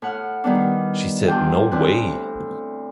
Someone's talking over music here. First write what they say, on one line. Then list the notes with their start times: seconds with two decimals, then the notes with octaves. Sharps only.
She said No way!
0.02 A2 F#5 F6
0.44 D#3 G3 B3 D4
1.28 E2 D4 F4 G4 G5
1.71 D2 A2 C4 F#6